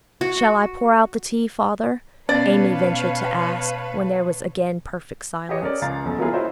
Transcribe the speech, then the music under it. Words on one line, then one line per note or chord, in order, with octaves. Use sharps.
'Shall I pour out the tea, father?' Amy ventured to ask, when there was again perfect silence.
F#4
B2 B3 C#4 B4 C#5 D5 F5 A5
G4 G#4 C#5 D#5 C#7
C#4 A#4 D5
C#2 F5 A#5 A6
D#1 E2
F#3 A#3 B3 E4 F4 G#4
E4 F#4 C5 C#5 D#5